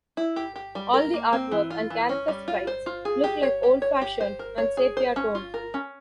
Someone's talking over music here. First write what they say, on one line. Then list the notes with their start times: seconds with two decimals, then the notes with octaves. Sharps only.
All the artwork and character sprites look like old fashioned and sepia-toned.
0.17 E4
0.36 G4
0.56 G4
0.75 G3
0.94 A#4
1.14 A#3
1.33 C4
1.51 E3
1.70 F4
1.90 E3
2.09 C#4
2.28 G3
2.48 F4
2.67 C5
2.86 F4
3.05 G#4
3.24 G4
3.43 C#5
3.63 G4
3.82 C#5
4.02 G4
4.21 C5
4.39 A#4
4.58 C#5
4.77 G#4
4.97 C5
5.16 C#4
5.35 F4
5.54 A#4
5.74 C#4